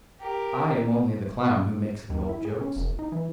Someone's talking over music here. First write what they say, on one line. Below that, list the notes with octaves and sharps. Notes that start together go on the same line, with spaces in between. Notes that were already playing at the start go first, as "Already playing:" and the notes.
"I am only the clown who makes the old jokes."
G4 A#4
D#2
E4
G#4
C#4
F1
D#4
E3